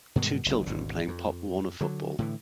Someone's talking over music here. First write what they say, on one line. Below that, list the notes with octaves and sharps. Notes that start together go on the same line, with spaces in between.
Two children playing pop warner football.
G2 B2 D#3 G#3
F#1 B1
G#1 D2 B2
F2
D3 F#3
A2 D3 E3